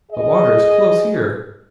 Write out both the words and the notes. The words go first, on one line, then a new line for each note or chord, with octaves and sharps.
The water is close here.
G#4 D#5